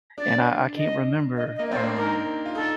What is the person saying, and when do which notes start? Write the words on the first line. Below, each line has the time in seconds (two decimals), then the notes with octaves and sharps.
And I I can't remember, um
0.18 D4 D5
0.77 D#5
1.37 D#5
1.56 D#5
1.59 A#3
1.71 C4 D5
1.76 C5
1.83 D4
1.96 D#4 A#4
2.45 F4
2.55 D#4 A4